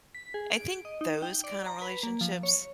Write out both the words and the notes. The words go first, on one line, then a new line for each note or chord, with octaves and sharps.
I think those kinda relationships
B6
G#4
D7
D#5
D#4
G5
D5
A#5
B4
A#3
F3
C#5